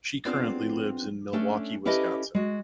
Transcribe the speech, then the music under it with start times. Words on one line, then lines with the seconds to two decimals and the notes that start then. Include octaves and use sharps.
She currently lives in Milwaukee, Wisconsin.
0.25 B3 C4 D4 F4 G#4
1.33 A3 C#4 D4 A4
1.85 C#4 E4 G4 A4 B4 D#5
2.35 G#3 F#4